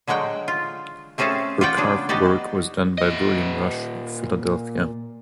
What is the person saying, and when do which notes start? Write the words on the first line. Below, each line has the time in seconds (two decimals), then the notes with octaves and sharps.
Her carved work was done by William Rush of Philadelphia.
0.07 D3 F#3 G#3 F#5 G5
0.48 F4
1.18 A3 C4 C#4 G#4 A4 F5
1.61 F4 F#4 D5 F#5 G5
1.77 C#3 B3 D4 G#4
2.09 B3 D#4 F#4 G4 D5
2.98 A#2 D#5